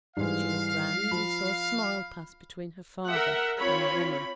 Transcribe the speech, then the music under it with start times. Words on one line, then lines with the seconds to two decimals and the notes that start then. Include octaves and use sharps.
She looked round, and saw a smile pass between her father and the woman.
0.17 G#2 E3 G3 G#3 E4 F5
1.11 F3 B5
3.10 A#4 E5 F#5
3.59 C4 F4 C#5 B5